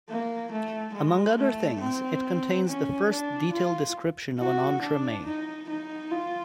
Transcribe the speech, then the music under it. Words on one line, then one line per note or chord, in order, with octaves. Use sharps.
Among other things, it contains the first detailed description of an entremet.
A#3
A3
G#3
A3
C4
C#4
D4
F4
F#4
D4
D#4
D#4
F4